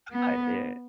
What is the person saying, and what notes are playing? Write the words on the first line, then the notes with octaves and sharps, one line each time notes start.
I yeah.
B3